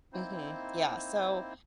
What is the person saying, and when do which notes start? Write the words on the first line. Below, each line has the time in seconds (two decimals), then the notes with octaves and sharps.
Mhm, yeah, so
0.13 A#3 C4 D#4 E4 C5